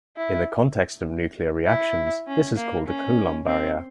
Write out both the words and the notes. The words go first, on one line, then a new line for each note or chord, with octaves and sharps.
In the context of nuclear reactions this is called a Coulomb barrier.
E4
E4
C#4
A#3
C#4
C4